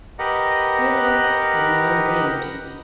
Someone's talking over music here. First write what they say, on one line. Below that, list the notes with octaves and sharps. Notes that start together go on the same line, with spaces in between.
Three o'clock and no wind.
G4 A#4 B4 D#5 F#5